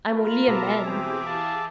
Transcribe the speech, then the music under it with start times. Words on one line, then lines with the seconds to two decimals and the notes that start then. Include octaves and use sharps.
I'm only a man.'
0.14 F4 A#4 B5
0.48 B2 E5 A5 A#5 D6
0.84 E3 C4 G4 G#4
1.25 F5 A5